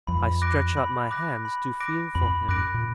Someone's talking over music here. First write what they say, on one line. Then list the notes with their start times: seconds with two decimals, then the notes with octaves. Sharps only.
I stretched out my hands to feel for him.
0.07 F2 B5
0.42 D6 F#6 A#6 D7
0.77 B5
1.11 D6 F#6 A#6 D7
1.45 B5
1.80 D6 F#6 A#6 D7
2.15 F2 B5
2.48 F#2 D6 F#6 A#6 D7
2.74 A#2